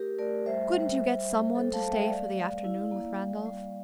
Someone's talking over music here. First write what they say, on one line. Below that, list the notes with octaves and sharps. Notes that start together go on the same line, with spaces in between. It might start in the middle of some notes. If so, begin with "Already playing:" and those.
"Couldn't you get some one to stay for the afternoon with Randolph?"
Already playing: A3 G4 A#4
A3 A#4 D5
G3 C5 E5
G3
G3
G3
A3 A4 C5
F5 A5
A3
E5 G5
G3 D5 F5
G3
E4
A#3
G3
G3